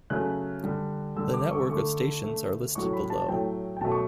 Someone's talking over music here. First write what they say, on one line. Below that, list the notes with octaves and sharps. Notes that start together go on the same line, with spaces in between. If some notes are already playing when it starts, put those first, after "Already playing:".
The network of stations are listed below.
C#3 F#3 A3 F#6
D3 G3
D3 G3 E6
D6
C#6
D3 A3 C#6
D3 A3
A2 F#3 A3 C#6
B5
A5
A2 F#3 A3 G5
G5
B2 F#3 A3 A5
C#6